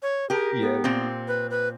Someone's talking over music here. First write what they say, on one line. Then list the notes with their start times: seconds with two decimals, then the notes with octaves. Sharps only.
Yeah, th
0.02 C#5
0.30 G4 G#4 A#4
0.61 B3
0.84 A#2 C4
1.28 B4
1.50 B4